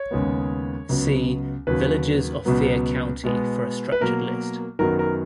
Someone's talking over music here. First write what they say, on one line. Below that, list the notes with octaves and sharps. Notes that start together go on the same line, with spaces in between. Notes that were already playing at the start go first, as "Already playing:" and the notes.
See Villages of Fier County for a structured list.
Already playing: C#5
D#2 C#3 G#3 B3
C#2 C#3 F#3 B3
D#2 C#3 F#3 B4
C#2 B2 F#3 B3
B2 G#3 B3
B4
B2 F#3 A#3 A#4
F#2 D#3 F#3 B3 A#4
A#4